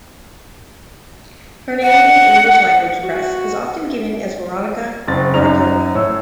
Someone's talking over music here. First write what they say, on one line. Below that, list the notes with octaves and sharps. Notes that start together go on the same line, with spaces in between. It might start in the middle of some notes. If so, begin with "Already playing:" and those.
Her name in the English language press is often given as Veronica Varekova.
F#5
F#4
F#1 C4 A6
F#2 D#4 F7
A2 C#5 E6